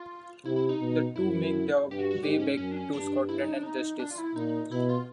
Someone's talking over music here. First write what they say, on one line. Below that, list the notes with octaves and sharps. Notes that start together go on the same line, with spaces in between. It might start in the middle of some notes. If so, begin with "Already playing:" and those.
The two make their way back to Scotland and justice.
Already playing: F4
C3 E4
E4
D#4
B2
F#2 E4
G2 G4
F#4
F#4
G#2 G4
C#4
F#2 C#4
D4
C#4
G2 D4
E4
D#4
D4
D#4
D4
F4
E4
A#2 D#4
B2 E4
F4